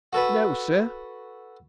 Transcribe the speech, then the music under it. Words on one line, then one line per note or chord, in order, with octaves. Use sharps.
"No, sir."
F#4 A4 B4